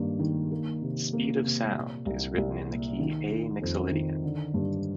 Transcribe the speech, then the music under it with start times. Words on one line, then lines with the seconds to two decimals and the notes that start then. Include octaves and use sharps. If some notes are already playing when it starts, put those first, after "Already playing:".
"Speed of Sound" is written in the key A Mixolydian.
Already playing: G2 D#3 A#3
0.19 D#3
0.51 A#3
0.82 C3
1.13 A#3
1.44 C3
1.74 A#2
2.06 C2
2.38 C2
2.67 A#2
2.99 D#3
3.31 D#3
3.62 F2
3.91 D#3
4.23 D3
4.54 G2